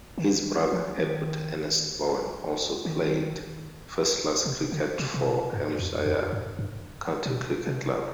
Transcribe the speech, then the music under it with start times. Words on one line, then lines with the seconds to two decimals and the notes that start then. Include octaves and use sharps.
His brother, Edward Ernest Bowen also played first-class cricket for Hampshire County Cricket Club.
0.18 D#3
0.71 F3
0.98 D#3
2.85 D#3
4.46 C3
4.72 D3
4.99 C3
5.14 C3
5.26 B2
5.53 G2
5.79 F2
6.06 F2
6.33 G2
6.59 G2
7.26 B2
7.67 C3